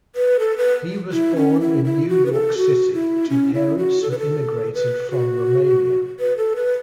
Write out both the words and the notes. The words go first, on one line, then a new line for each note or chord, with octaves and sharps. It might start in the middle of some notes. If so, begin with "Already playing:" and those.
He was born in New York City to parents who immigrated from Romania.
B4
A4
B4
E4
C#4
E4
E4
F#4
B4
A4
F#4
E4
C#4
E4
F#4
A4
B4
A4
B4
F#4
B4
A4
B4